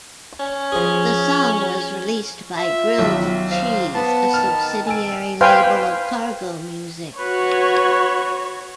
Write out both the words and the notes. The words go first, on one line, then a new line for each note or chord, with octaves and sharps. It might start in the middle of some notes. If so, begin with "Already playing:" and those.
The song was released by Grilled Cheese, a subsidiary label of Cargo Music.
C#4
F3 G#4
F4 E5
B1 D#3
C5 F5
B3 A5
D#3 F6
G#5 E6 D7
B4 C5 F5 G5 G#5
F#4 B4 C#5